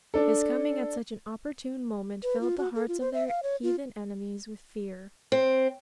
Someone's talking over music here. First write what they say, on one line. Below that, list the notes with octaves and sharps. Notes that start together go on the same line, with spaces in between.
His coming at such an opportune moment filled the hearts of their heathen enemies with fear.
D4 A4
B4
F4
F#4
A4
F4
C5
E5
F5
C#5
F4
C4